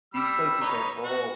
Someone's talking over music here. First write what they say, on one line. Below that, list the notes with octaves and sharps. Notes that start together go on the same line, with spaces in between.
these places are all
G3 B5 E6
D#4 B4 C#5
F#4